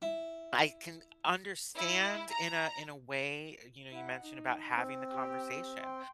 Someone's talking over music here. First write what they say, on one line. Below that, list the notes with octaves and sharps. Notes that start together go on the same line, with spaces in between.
I can understand in a in a way, you know, you mentioned about having the conversation,
E4
E4
A#5
E4 F#5
D#4
C4
G4 G5
G5 C6